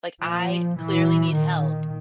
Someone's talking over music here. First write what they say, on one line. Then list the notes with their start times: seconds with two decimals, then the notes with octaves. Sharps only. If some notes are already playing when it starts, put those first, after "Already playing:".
Like I clearly need help,
0.22 A#2 F3
0.78 A#2 E3
1.34 A#2 D#3